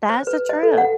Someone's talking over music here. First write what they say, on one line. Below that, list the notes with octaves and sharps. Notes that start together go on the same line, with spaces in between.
That's a trip.
C5
B4
D#5
A4
F#5